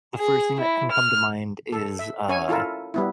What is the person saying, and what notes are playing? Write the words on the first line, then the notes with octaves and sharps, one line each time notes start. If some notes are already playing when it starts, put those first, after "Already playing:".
the first thing that can come to mind is, uh,
G#4
E4
F6
A4
E5
C#4 C#5 G#5
E4 F4 A4 A#4
G3 B3 E4